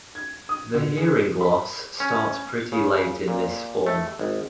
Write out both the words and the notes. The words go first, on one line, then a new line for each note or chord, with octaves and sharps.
The hearing loss starts pretty late in this form.
G#6
D#6
D3
G#4
B5
C#4
C#3
A#2
A3
G#1